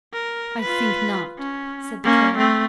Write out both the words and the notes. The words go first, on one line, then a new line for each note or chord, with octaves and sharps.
"I think not," said the Carrier.
A#4
F4 B4
C#4
A#3 C#4
A3 C4